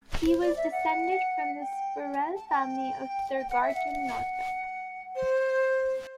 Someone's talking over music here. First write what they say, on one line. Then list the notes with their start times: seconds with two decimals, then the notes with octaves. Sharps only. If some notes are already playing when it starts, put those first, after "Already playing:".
He was descended from the Spurrell family of Thurgarton, Norfolk.
0.27 C5
0.41 D5
0.56 E5
0.71 F#5
1.60 G5
2.04 G5
2.20 G5
2.34 A5
2.49 G5
3.38 G5
3.50 F#5
3.62 E5
3.74 F#5
5.15 C5